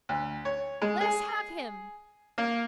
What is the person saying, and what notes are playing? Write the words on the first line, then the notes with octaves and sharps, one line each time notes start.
Let us have him!'
D2
C#5
G#3
G#4
A#3